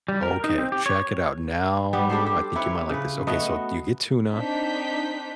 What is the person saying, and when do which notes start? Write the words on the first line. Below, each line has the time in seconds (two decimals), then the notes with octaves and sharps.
Okay, check it out, now, I think you might like this, okay so, you get tuna
0.08 G3
0.23 A#4
0.44 D#4
0.58 C4
0.72 G4
0.86 C#5
1.93 G3 B3 G4
2.10 D4 G4 A4 C5
2.26 G4
2.55 C4 E4 B4 C#5
2.89 C#3 B4
3.27 A3 B3 F#4 D#5
4.34 C4 D4 D#4 G6 B6